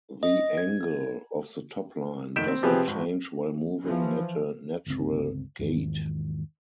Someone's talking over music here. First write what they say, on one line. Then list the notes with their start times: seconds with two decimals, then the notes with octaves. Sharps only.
The angle of the topline does not change while moving at a natural gait.
0.23 D#5
0.58 G#6
2.36 F1 D#3 G6 B6 D7 E7
2.48 C4
2.63 C3 F3 C4 G4 G#4 B4
2.87 G#1
3.82 E3 F3
4.86 G1 C#2 C4
5.59 E2 G#2 D#3